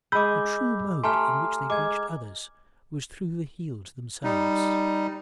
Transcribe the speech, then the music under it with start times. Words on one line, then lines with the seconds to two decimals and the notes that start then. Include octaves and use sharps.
The true mode in which they reached others was through the healed themselves.
0.12 G#3 G#4 B5 D6 E6 G6
1.04 A3 G4 G#5 A#5 C6 F6
1.70 G#3 D6 G#6
4.24 G3 D#4